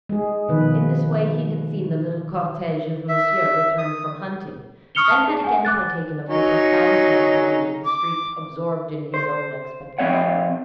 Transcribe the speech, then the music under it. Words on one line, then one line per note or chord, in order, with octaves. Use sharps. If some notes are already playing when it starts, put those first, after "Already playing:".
In this way he had seen the little cortege of Monsieur return from hunting, then had again partaken of the profound tranquillity of the street, absorbed in his own expectations.
G#3 G#4
B2 D#3 F3 B4
E5
D#6
C#6 D#6 F6 C#7 F7 G7
A5
G#4
F#5 G#5
D6 F#6 A6
F#3 C#4 D#4
D6
C5
F3 C4 C#5 F#5